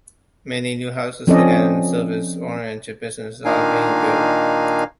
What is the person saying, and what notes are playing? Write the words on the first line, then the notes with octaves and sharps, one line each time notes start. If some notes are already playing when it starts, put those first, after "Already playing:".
Many new houses and service-oriented businesses are being built.
F3 C4 C#4 A4 D5 D#5
A#2 D#3 D4 D#4 F5 G#5